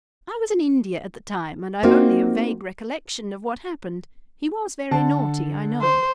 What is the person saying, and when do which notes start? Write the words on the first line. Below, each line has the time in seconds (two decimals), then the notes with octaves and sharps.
"I was in India at the time, and I've only a vague recollection of what happened; he was very naughty, I know."
1.83 A#3 C4 D#4 F4 F#4
4.91 D3 A5
5.81 C5